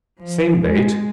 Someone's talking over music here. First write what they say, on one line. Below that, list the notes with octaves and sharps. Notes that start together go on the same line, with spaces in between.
Same bait.
F3
G#3